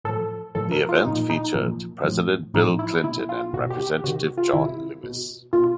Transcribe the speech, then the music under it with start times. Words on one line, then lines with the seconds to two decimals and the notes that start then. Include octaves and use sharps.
The event featured President Bill Clinton and Representative John Lewis.
0.04 A2 F3 A4
0.55 A2 F3 A4
0.72 A#4
0.89 F4
1.05 A#2 F3 D#4
1.30 D#4
1.55 A#2 F3
2.04 A2 F3
2.54 A2 F3 D#4
2.79 E4
3.04 B2 E4
3.29 F4
3.53 B2 F#4
3.70 G4
3.87 G4
4.04 C3 D#3 F#4
4.38 F4
4.53 C3 D#3 E4
5.04 B2
5.53 B2 F4